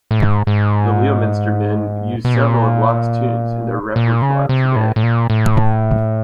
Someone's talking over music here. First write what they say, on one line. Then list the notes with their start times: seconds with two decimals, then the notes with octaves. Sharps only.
The Leominster men use several of Locke's tunes in their repertoire today.
0.11 A2
0.19 G#2
0.47 G#2
2.25 B2
2.34 A#2
3.96 A#2
4.22 C#3
4.49 C3
4.76 A2
4.96 A2
5.03 A#2
5.30 A2